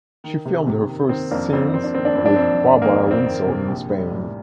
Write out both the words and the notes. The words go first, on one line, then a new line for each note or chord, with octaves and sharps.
She filmed her first scenes with Barbara Windsor in Spain.
D#3
C3
C3
D#3
D#3 C4
F2 A#3 D4
F2 C4
F2 C4
D4
D#3 C4
D4
F2 C4
D4
F2 C4
F2
D#3 A#3
F2
C4
D#3
C3
A#1
G3
A2